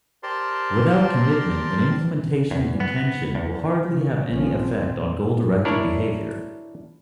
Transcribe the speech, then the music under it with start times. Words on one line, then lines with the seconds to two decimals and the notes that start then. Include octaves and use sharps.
Without commitment, an implementation intention will hardly have any effect on goal-directed behavior.
0.23 G4 A#4 C5 D5 A5 C6
2.51 E2
2.80 B3
3.35 E2
3.90 C#3
4.28 A#1 F3 C#4
4.57 C4
5.65 D4 E4 A#4 C#5 D5